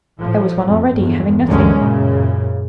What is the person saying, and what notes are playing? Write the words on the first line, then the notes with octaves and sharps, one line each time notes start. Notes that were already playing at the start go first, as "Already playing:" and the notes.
I was one already, having nothing.
A2 F3
F2
G1 E2
D2 G2 F#3 G#3 A#3 C#4
F#2 A#2 C#3